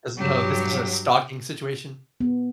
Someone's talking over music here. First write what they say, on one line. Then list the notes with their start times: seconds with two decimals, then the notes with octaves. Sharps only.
'Cause, no, this is a stalking situation.
0.18 G2 F#3 G3 G4
2.20 B3